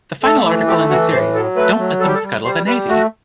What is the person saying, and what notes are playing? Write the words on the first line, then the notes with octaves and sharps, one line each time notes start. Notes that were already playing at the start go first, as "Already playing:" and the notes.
The final article in the series, Don't Let Them Scuttle the Navy!
A3 A4
E3
A3 G4
E3 F#4
A2 C5
F#3 A4
A3 B4
F#3
G3 A4
G4
A4
G3
G3 C5
G3 B4
A3 F#4